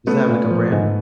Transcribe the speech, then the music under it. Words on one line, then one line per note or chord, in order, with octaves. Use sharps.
is that, like, a brand?
A3 B3 C#4
A#2
F3
G#2